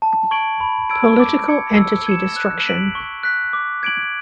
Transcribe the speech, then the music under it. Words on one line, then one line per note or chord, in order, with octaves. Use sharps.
Political entity destruction.
A5
C#6 G#6 D7 F#7
B5
E6 G#6 D7
D6
G#6 C#7
E6
G#6 C#7 E7
F#6
B6 D7 F#7
C#6
F#6 B6
D6
G#6 D7 F#7